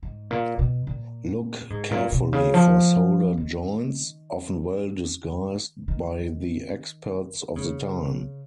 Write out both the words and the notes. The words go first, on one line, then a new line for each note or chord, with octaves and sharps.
Look carefully for soldered joints, often well-disguised by the experts of the time.
G#2
A#2
B2
A#2
G#2
A#2
B2
C#3
F3
D#3
D#3
C#3